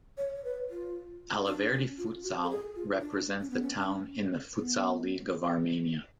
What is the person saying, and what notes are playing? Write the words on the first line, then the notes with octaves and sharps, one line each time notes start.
"Alaverdi futsal" represents the town in the Futsal League of Armenia.
C#5
C#5
B4
F4
D4
C#4
F4
F#4
A4
G#4
F4
D4
C#4
B3
C#4
C#4
B3